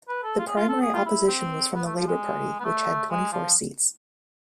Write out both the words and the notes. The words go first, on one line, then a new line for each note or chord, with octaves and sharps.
The primary opposition was from the Labour Party, which had twenty-four seats.
B4
A4
F4
G#4
F4
A4
G#4
F4
E4
C4
B3
A3
F3
G#3
B3
A3
G#3
F3